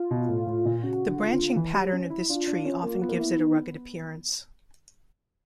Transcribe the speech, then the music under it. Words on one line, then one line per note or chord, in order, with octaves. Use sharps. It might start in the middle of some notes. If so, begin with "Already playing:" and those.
The branching pattern of this tree often gives it a rugged appearance.
Already playing: F4
B2
A2
A2
A#2
C#3 F#4
D3
F4
D3
E3
G3
C#4
E4
D4 F4
D4
C#4
A#3
F#4
B3 F4
A#3
B3 E4
D#4